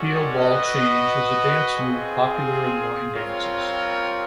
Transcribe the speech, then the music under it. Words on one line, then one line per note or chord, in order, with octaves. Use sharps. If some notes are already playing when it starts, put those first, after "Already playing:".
Heel ball change is a dance move popular in line dances.
Already playing: G#3 C#4 F#4 A4 D5
F#4 B4 D#5
C4 F4 G#4
G3 C4 F4 A#4 C#5